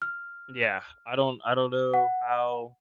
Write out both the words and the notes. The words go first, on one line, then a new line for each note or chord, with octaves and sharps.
Yeah, I don't I don't know how
F6
F#5